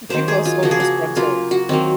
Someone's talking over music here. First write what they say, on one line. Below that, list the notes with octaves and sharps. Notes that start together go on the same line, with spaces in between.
People are so disgruntled.
D#3 F#3 A#3 C5
G#4
F4
C#3 F3 A#3 F#4
G#4
F#4
C#3 F#3 A#3 F4
F#4
D#3 F#3 A#3 C4